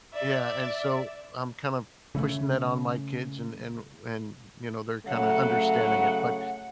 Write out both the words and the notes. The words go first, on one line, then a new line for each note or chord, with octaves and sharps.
yeah, and so I'm kinda pushing that on my kids and and and, you know, they're kinda understanding it, but
D5 E5
C#3 A3
C#3 F#3 A3 F#5